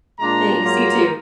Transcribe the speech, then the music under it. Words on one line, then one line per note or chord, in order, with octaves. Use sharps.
Thanks. You too.
A#2 G#3 D4 F4 A#5
G#2 F#3 A#3 F4